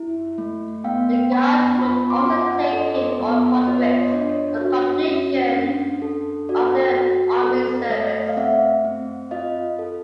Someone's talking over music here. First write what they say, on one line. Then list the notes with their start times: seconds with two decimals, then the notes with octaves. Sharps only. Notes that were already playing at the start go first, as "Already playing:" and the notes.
The Garde would also take in all conscripts on completion of their army service.
Already playing: E4
0.38 A3
0.84 B3 F5 G5
1.32 B3 B5 C#6
1.78 F4 B5 C#6
2.10 C6 D6
2.26 F4
2.41 F#5 G#5
2.64 D#5
2.72 A4 D5
3.20 B3
3.67 F4 C#5 D#5
3.91 D5
3.98 C#5 D#5
4.14 D4
4.29 C#5
4.61 F#4
5.08 C#4
5.54 D4
6.02 A4
6.49 F#4 D5
6.96 F#4
7.43 A4 D5
7.90 A3 C#5 D#5
8.29 F5
8.37 C4 E5 F#5
8.85 C4
9.31 F4 D#5 F5
9.79 A4